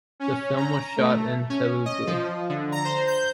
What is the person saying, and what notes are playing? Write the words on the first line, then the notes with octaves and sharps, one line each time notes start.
The film was shot in Telugu.
C#4
A#5
A3
C#4
D#5
F3
D3
A#5
C5
G6